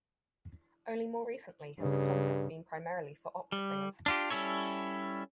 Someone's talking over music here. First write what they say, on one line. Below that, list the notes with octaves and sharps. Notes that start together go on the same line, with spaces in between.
Only more recently has the contest been primarily for opera singers.
G2 C#3
G3
D4 F4 G4
G3 C#4 E4 A4 C#5